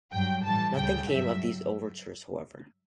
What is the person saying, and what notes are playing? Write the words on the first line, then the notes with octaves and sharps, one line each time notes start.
Nothing came of these overtures however.
G2 F#3 G5
A2 E3 G3 A5
D2 C#3 G3 G5
G2 F#3 E5